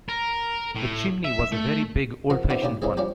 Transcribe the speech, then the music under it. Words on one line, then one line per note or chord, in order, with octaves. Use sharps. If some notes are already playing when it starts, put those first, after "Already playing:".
The chimney was a very big old-fashioned one.
A#4
A2
E5
A3
F3 F#4 A#4
E3 C4 D4 E4 F#4 G4
D#2 C#3 D4 F4 G4
C#3 E3 G#3 C4 G#4
F3 G3 C#4 D4 G4